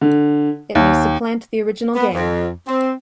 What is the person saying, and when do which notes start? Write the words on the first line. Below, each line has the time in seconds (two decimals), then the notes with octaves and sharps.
It may supplant the original game.
0.01 D3
0.75 D#2
1.95 B3
2.13 F2
2.68 C4